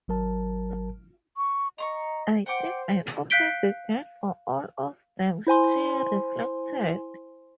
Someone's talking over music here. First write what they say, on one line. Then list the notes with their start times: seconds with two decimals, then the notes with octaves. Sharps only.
"I think I opened the gate for all of them," she reflected.
0.08 G#1 F#3 A#4 A5
1.37 C#6
1.78 D#5 A#5 C6 C#6
2.46 C5 F#5 G5 D6
3.30 F5 F#6 G6 B6 D7 G7
5.47 E4 C5 G#5 C6